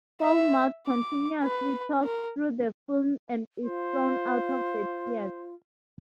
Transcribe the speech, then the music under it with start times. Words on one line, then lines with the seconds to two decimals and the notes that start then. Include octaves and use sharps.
Fowlmouth continuously talks through the film and is thrown out of the theater.
0.21 E5
0.87 D6
1.44 B4
2.04 A#4
3.65 F4 C5